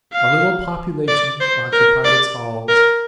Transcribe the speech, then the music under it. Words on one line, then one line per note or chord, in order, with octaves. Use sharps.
A little population occupied its halls.
F5
D5
C5
A#4
D5
A#4